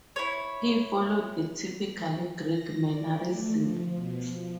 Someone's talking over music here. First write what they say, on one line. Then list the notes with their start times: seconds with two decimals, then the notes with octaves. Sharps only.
He followed the typical Greek mannerisms.
0.16 E4 C#5
2.46 A#6
2.84 D5
3.28 A3
3.58 F3
3.94 B2
4.24 F3